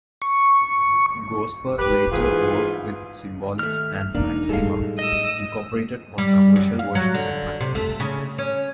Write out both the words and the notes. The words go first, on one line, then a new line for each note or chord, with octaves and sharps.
Gosper later worked with Symbolics and Macsyma, Incorporated on commercial versions of Macsyma.
C#6
G4 B4
G#2 E3 F4 G#4 B4
D#2 A3 F6
E1 A#3 D4 D#4
A2 G3 G#3 A4 F5
D#5 D#6 E6
G3
F#2
F5
F#3
D3
C3
A3
C#3
C#4